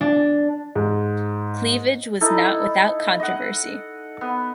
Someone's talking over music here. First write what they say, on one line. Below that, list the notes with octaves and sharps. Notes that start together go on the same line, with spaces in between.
Cleavage was not without controversy.
D4
G#2
D#4 E4 A4
D#5 F#5
B3